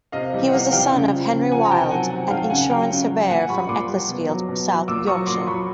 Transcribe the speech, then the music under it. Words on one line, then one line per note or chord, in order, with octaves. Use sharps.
He was the son of Henry Wilde, an insurance surveyor from Ecclesfield, South Yorkshire.
C3 D#5 F5
E3 G3
F#5
C3 D#5 F5
E3 G3 F5 G5
C#3
F3
C#3
F3 F#5 G#5
A#5
C3 G5 A5
D#3 F#3 F#5 G#5
C3 F#5 G#5
D#3 F#3 F5 G5
C#3 F#5 G#5
F#3 F5 G5
C#3
F#3
A#2 F#5 G#5
G3 B5 C#6
A#2 C6 D6
G3
B2
F#3
B2
F#3
A#2 D6 E6
F#3 C#6 D#6
A#2 C6 D6
F#3 B5 C#6